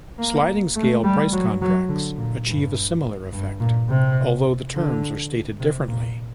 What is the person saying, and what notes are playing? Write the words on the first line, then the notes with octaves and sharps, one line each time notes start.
Sliding-scale price contracts achieve a similar effect, although the terms are stated differently.
A#3
A3
G3
F#3
F#3
D3
A#2
G2
G2
A#2
C3
D3
C3
A#2